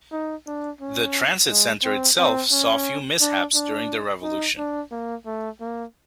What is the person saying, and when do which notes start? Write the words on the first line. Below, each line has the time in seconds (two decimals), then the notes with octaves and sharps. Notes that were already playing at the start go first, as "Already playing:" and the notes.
The transit center itself saw few mishaps during the revolution.
0.12 D#4
0.47 D4
0.81 C#4
1.50 G#3
1.84 C4
2.18 C4
2.52 C#4
3.21 D4
3.55 D4
4.23 D#4
4.58 D4
4.91 A#3
5.26 A3
5.61 A#3